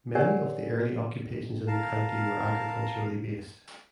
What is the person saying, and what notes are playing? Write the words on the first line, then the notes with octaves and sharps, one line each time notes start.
Many of the early occupations in the county were agriculturally based.
G4 A#4 C#5 D5 F#5 G#5
A#4 F5 A5